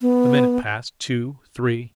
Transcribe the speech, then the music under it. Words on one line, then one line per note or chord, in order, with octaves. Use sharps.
A minute passed--two--three.
B3